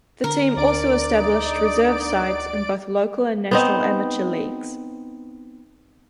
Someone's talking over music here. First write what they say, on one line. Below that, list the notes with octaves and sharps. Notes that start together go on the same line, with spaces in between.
The team also established reserve sides in both local and national amateur leagues.
D3 A#4
D2 D4 D5 D7
D#4
B3 C4 D#4